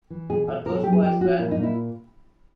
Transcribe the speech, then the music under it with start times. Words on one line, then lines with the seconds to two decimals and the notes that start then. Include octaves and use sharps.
Are those boys bad?
0.10 E3
0.30 B2 G#4
0.48 B2 A4
0.65 B2 A#4
0.75 A4
0.83 F#3 G4
0.93 G#4
1.03 F3 G4
1.20 F3 F#4
1.38 A#2 E4
1.51 D#4
1.56 A#2
1.63 E4